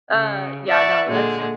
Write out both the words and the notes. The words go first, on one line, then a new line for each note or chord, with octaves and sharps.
Uh. Yeah, no. That's
C#3
D5 E5 F#5 A5 B5 C#6
A#2 D3 G#3